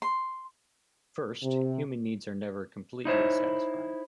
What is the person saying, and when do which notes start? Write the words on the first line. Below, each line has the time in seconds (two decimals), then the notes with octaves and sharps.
First, human needs are never completely satisfied.
0.02 C6
1.42 C3
3.05 D#4 E4 C5 C#5